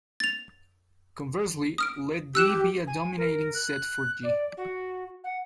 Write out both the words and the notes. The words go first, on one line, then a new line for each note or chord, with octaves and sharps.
Conversely, let "D" be a dominating set for "G".
A6 F7
D#6 F6 D7
G4 E6 F#6 E7
G#5
A#4
F#6
D5
F#4
F#5